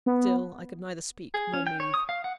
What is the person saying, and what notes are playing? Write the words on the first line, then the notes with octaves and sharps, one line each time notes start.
Still I could neither speak nor move.
B3
G#4
C#4
G5
C#5
D#6
F5
F#5